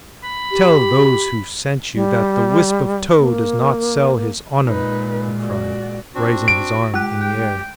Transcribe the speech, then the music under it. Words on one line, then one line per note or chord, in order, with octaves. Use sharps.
"Tell those who sent you that the wisp of tow does not sell his honor," he cried, raising his arm in the air.
B5
G4
G3
A#3
A#2 G#3 D#4 B4
F#4 D5
C4 D4 F#4
D7
G#3 G4 F#6
G5